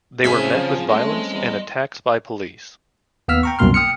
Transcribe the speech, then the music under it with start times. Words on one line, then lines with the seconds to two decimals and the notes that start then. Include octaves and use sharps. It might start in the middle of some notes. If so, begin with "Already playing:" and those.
They were met with violence and attacks by police.
0.24 C#3 C4 C#4 F#4 G#4 E5
0.55 F3
0.89 A3 D#5 C6
1.30 E2
3.28 D#2 B3 F5 E6 F6 B6
3.43 G5 A#5 C#6
3.59 C2 F#2 B2 A#3 C6 F6
3.74 G5 D#6 F6 C#7